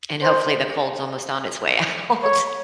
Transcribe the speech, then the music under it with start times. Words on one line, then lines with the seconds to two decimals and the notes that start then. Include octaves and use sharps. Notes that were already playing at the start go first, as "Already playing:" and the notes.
And, hopefully, the cold's almost on its way out.
0.23 C5
2.24 C#5